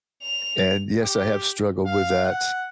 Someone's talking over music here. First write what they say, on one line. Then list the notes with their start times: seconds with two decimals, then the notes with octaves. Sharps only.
And, yes, I have struggled with that,
0.23 F7
1.01 G4
1.86 F5
2.25 F#5